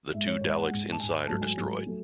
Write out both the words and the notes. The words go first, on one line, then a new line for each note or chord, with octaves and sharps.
The two Daleks inside are destroyed.
G#2 G#3 E5
C#5
G#2 G#3 C#5
F#5
G#2 G#3
A5
G#2 G#3 G#5
G#2 F#3 A3 A5
G#5
G#2 F#3 A3
F#3 A3